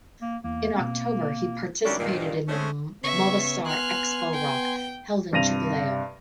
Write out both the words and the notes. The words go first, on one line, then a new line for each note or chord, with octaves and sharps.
In October he participated in the Movistar Expo Rock held in Chiclayo.
A#3
E2 A#3
B2 C4
F#2 D#3 G3 C#4 D4 E4
G2 A#2 D#3
G#3 A3 C4 C#4
C#3 B3 E5 C#6
G#5 C6 F6 F#6
G5
G2 C3 A#6 D#7 F7